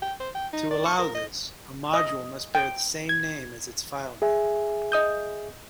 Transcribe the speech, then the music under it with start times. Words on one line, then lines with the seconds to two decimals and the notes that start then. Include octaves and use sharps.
To allow this, a module must bear the same name as its file name.
0.02 G5
0.20 C5
0.35 G5
0.53 D#4
0.71 D5
0.85 C#6
0.99 A#4
1.14 D#5
1.94 D#5
2.55 G5
3.09 G#6
4.22 G#4 E5 G#5
4.92 D#5 D#6 G6